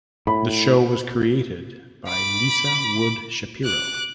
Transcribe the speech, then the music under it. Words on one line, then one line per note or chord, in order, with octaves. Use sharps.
The show was created by Lisa Wood Shapiro.
A2 B5
B5 D6
D6 F#6